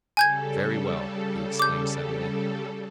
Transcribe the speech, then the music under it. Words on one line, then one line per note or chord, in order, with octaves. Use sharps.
"Very well!" he exclaimed suddenly.
C#3 G3 A4 G#5 G6 G#6
D6 G6